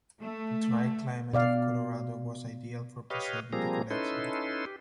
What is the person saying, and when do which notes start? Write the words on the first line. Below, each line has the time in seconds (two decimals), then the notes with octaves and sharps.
The dry climate of Colorado was ideal for preserving the collections.
0.21 A3
1.33 B2 D5 F5
3.10 G4 B4 C#5 D#5 F5
3.53 F3 G3 A#3 C4 G#4 A#5
3.91 C#4 D#4 E4 A4 B4 C6
4.66 G4